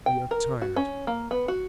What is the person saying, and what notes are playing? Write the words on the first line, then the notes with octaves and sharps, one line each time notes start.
We are tired.
G5
A#4
F#4
C#4
A#3
B3
F#4